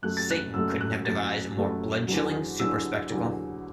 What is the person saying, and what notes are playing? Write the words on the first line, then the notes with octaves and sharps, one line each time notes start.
Satan couldn't have devised a more blood-chilling super-spectacle.
F#2 F#3 A3 F#6
A6
F#6
F#2 F#3 A3 E6
F#6
F#2 F#3 A3 A6
F#2 F#3 A3
E2 D3 F#3
E2 D3 F#3 E6
E2 D3 F#3